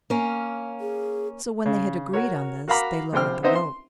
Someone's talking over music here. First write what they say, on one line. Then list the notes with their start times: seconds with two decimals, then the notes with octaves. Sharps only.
So when they had agreed on this, they lowered the rope.
0.10 A#3 C#4
0.81 G#4
1.66 C#3
2.13 F#4 A#4 C#5
2.68 F#4 A#4 F5 A#5 B5 D6
3.13 A#1 C3 C5 G5 F6
3.43 B3 C4 D#4 C5 D#5 E5
3.55 C6